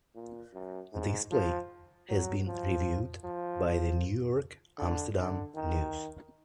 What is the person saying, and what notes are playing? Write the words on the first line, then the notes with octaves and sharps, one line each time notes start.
This play has been reviewed by The New York Amsterdam News.
A#2
F#2
G#2
F3
F#3
F3
F3
D3
D3
D#3